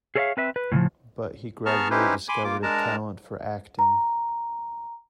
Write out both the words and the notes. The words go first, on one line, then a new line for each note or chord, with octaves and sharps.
But he gradually discovered a talent for acting.
G#4 A4 C#5 D5 E5 F5
C4 B4 E5
B4
A2 C#3 E3 F3
B3 G#4 A5 A#5 C#6 F6
C#4 D#4 E4 G4 B4 C5
G#5 B5 C6 D6
A#3 F4 D6
G#3 D4 A#4 A5 A#5
A#5